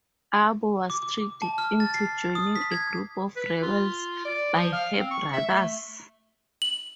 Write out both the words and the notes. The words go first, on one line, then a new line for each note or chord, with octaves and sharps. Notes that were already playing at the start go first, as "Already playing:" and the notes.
Abo was tricked into joining a group of rebels by her brothers.
D6
D6
D6
A5
F6
A6
C7
D#6
B6
G#6
B4
F4
D5
F3
F5
C4
C#6
E5
A3
F#7